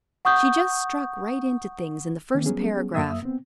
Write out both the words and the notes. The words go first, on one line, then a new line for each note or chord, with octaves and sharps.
She just struck right into things in the first paragraph.
F#5 C#6 D#6 G6
D#3 A#3 C4
F#3 G3 B3 C#4 G#4
F#2 A#3 E5 D#6 E6
B3 C4